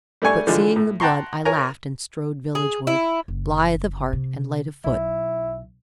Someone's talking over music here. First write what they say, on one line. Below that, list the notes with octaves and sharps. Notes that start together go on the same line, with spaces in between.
But, seeing the blood, I laughed, and strode villagewards, blithe of heart and light of foot.
G3 A3 D4 G#5 C#6
D3 E3 F3 G#3
A2
F#5 G5 A5 A#5 C6 C#6
A#4 C#5 G#5 A#5
G#4
E4
F#1
C3
B1 E4